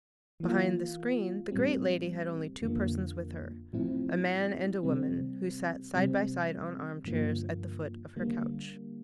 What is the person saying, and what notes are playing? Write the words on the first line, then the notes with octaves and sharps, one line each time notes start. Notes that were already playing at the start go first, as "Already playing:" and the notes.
Behind the screen the great lady had only two persons with her: a man and a woman, who sat side by side on arm-chairs at the foot of her couch.
E3 A#3 F4
A2 G3 C4
F2 D3 F3 A#3
A2 F3 C4 E4
C3 G3 C4
C3 G3 C4
G2 D3 F3 A#3
D3 G3 A#3